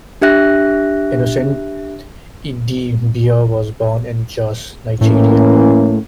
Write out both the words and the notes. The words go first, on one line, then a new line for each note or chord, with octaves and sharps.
Innocent Idibia was born in Jos, Nigeria.
D4 G4 E5 F#6 A#6
A2 E3 A#3 C#4